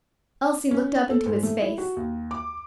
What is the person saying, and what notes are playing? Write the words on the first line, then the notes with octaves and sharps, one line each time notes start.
Elsie looked up into his face.
C#4
A4
G#2
A3
E4
F#4
D#2
D6